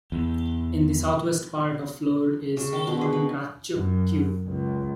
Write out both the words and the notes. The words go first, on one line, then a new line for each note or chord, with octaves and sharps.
In the southwest part of the floor is Kondratyuk Q.
E2
C#3
D#3
B2
G#4
B4
F#2
C#2